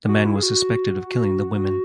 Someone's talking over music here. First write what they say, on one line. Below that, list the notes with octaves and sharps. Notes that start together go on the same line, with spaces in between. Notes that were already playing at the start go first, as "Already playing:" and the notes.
The man was suspected of killing the women.
F#4
E4
G#4
F#4